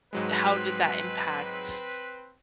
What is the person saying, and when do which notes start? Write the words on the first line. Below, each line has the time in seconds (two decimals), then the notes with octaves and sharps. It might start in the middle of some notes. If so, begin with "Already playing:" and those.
how did that impact
0.13 G#2 F#3 G#3 C4 B4